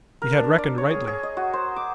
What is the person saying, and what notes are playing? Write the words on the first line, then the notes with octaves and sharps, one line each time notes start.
He had reckoned rightly.
A#4
D4
D5
C#5
G#4
G#4
D#5
F#4
C5
D6